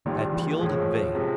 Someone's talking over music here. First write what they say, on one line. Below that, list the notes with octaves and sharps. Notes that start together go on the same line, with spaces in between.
I appealed in vain.
A#1 A#2 D#3 G3
E3
A2 F3 G#3
C3 F3 G#3